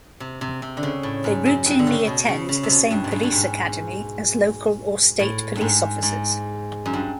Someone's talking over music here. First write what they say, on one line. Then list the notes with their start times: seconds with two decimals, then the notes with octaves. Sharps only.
They routinely attend the same police academy as local or state police officers.
0.20 C3
0.41 C3
0.62 C3
0.77 D3
0.83 C#3
1.03 A2
1.24 G#2
1.46 F#2
1.66 G2
1.79 D3
1.87 C#3
2.07 B2
2.28 C#3
2.49 C#3
2.63 C3
2.69 B2
2.91 G2
3.04 G#2
3.12 G2
3.23 G2
3.32 G#2
5.19 A2
5.56 G2
5.61 G#2
6.02 G#2
6.86 F#2
6.93 G2